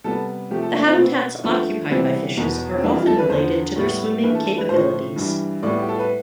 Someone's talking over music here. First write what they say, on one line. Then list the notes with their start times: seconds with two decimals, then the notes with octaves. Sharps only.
The habitats occupied by fishes are often related to their swimming capabilities.
0.04 C3 G3 B3 A4
0.51 C3 F3 A3 G4
0.62 A4
0.74 D4
0.86 C4
0.97 B2 B3 C4
1.43 G2 F3 A3 B3
1.90 C3 E3 G3 B3 C4
2.37 E2 B2 B3
2.78 C4
2.83 F2 E3 G3 D4
2.95 F4
3.07 A4
3.18 B4
3.30 E2 D3 F3 B3 C5
3.76 A2 G3 B3
4.23 G2 E3 A3 B4
4.35 A4
4.46 A4
4.58 B4
4.69 A2 F3 A3 C5
5.16 G2 E3 G3
5.63 A2 G3 B3 D5
5.78 G4
5.89 A4
5.99 B4